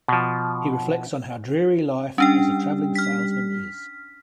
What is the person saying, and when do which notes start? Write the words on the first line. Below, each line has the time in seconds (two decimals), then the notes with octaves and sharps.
He reflects on how dreary life as a traveling salesman is.
0.08 B2 F3
2.18 G3 C#4 D4 G5
2.96 F6 B6